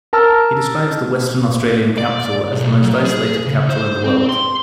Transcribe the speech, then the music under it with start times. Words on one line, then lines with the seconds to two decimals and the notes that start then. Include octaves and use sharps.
He describes the Western Australian capital as "the most isolated capital in the world".
0.13 A#4 A5 A#5 E6 F6
1.98 D5
2.52 B1
2.82 F#3
3.05 G#4
3.46 C#3
3.70 C5
4.04 C4
4.29 C6